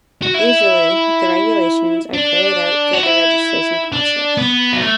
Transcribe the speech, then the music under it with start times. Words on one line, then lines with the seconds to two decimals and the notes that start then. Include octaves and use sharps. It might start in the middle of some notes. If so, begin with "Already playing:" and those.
Usually, the regulations are carried out through the registration process.
0.23 F#4
0.35 E4
2.13 D4
2.93 F#4
3.03 E4
3.92 D4
4.37 B3
4.73 F#3
4.82 A3